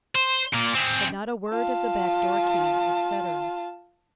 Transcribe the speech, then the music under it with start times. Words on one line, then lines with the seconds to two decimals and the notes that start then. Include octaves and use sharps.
But not a word of the back-door key, etc.'
0.15 C5
0.53 A#2 A#3
0.74 C4 G#4
1.49 F4 A5